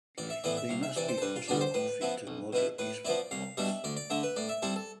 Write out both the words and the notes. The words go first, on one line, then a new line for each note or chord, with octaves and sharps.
They must be potted off into moderately small pots.
A1 D5
E5
A2 E3 B3 E4 D5
E5
C2 F5
E5
C3 E3 D5
C5
A4
G2 B4
F4
D3 G3 B3 D4 D5
C5
A2 B4
F3 B3 E4
B1
B2 B3 E4
A2 B4
F3 B3 E4 D5
C2 F5
B2 G3 D4 E5
D2 D5
D5
D3 A3 E5
B4
A2 D5
E5
G3 C4 E4 A4
A4